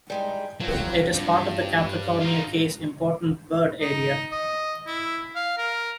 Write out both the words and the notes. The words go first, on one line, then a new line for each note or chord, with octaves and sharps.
It is part of the Capricornia Cays Important Bird Area.
G3 G#3 D#4
F3 F#3 C4
G2
D#4 F4
D#4
D#5
E4
F5
A#4